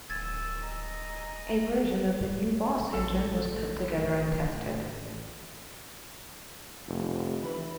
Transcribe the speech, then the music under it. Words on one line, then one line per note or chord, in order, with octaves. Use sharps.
A version of the new Boss engine was put together and tested.
D1 D#3 G#5 E6 G#6 A6
D#5 G#5 A#5
A1 A4
F1
E3 B4